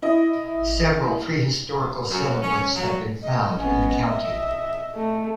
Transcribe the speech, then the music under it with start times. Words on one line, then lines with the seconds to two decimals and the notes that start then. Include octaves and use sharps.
Several prehistorical settlements have been found in the county.
0.02 E4 D#5
2.09 F#2
2.42 C#4
2.75 F#3
3.22 D#5
3.57 B3 C#4
4.05 E5
4.95 A3